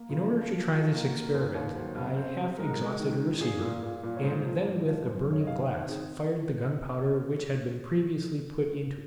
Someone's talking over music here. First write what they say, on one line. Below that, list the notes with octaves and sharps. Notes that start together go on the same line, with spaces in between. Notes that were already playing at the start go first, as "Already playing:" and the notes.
In order to try this experiment I half exhausted a receiver, and then with a burning-glass fired the gunpowder which had been previously put into it.
Already playing: A#3
C#3 F4
F3
F3
F3
A#3 F4
F#4
A#3
A#4
D#2 C5
D#2 C#5
F#3 C5
C#3
C4
F#3
G#3 A#4
G#3
D#3
D#3
A#2 G#4
A#2
A#2
A#2
C#5
G#2 C5
F3
G#2
F3
F#2 C5
C5
D#3
C#5
D#5
D#3 F5
C4
D#3 G#4